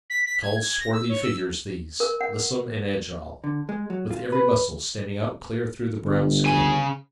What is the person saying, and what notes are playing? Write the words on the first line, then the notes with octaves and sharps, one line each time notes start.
Tall, swarthy figures these, lissome and agile, with every muscle standing out clear through the brown skin.
B6
B6
G#6
G#6
A#6
E6
C#5
E6
A#4
F#5
D3
G#3
F#3
F4
B4
G1
C#3 G#5